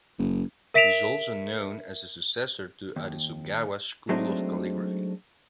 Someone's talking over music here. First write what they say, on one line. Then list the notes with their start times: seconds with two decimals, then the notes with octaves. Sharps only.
He is also known as a successor to Arisugawa school of calligraphy.
0.19 F#1
0.74 A#4 E5 B6 D7 E7 F7
2.96 D#2
4.09 F#3 G#3 A3 C4 D4 D#4